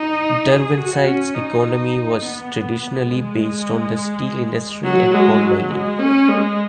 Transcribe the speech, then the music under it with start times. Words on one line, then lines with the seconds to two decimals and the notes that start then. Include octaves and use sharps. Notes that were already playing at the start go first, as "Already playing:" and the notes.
Derwentside's economy was traditionally based on the steel industry and coal mining.
Already playing: D#4
0.48 G#4
0.77 F#4
1.06 C#4
1.34 D#4
2.22 B3
3.09 G#3
4.83 F#3
5.12 G#3
5.41 F#3
5.70 G#3
5.99 C#4
6.28 G#3